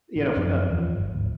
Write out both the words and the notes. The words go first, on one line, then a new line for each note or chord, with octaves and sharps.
you know, f uh
A1
F#2 F3 C#4
E2 G2 E3 F3
G1
G#1 D2